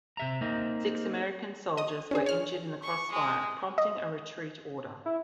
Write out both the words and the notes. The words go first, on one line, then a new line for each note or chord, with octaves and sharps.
Six American soldiers were injured in the crossfire, prompting a retreat order.
C3 E5 A#5
A#3 C4 D#4
D#5 D#6
C#4 D4 G#4
C#5 F6
C#6
G#3
D#5
E4